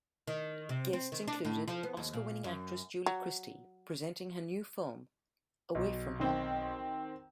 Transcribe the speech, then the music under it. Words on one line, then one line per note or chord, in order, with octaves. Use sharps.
Guests included Oscar-winning actress Julie Christie presenting her new film "Away From Her".
D#3
C3
C4
D#3
D4
A2
F3
B3
D#2
A#2
F#2
F#3
B1
D#3 C4